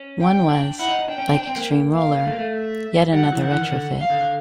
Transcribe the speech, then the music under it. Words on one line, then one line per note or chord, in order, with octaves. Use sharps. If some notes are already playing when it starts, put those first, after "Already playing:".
One was, like "Extremeroller", yet another retrofit.
Already playing: C#4
G5
D4
E4 F#5
D#4
D#4
D4 G5
C#4
C4
D4
C4
A#3
F5
A3
A#3
A3
E5
G3 F#5
F#3
E3
D#3 F#5
E3
D#3
D3
F5
D3
D3